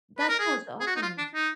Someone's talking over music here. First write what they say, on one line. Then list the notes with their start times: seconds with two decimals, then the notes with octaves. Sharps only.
That sounds awesome.
0.19 B4
0.29 A#4
0.39 G#4
0.80 G#4
0.87 F#4
0.96 D#4
1.02 F4
1.18 D4
1.34 D#4